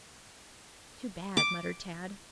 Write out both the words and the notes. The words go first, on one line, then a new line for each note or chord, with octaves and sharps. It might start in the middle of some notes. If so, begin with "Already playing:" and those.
"Too bad," muttered Tad.
D6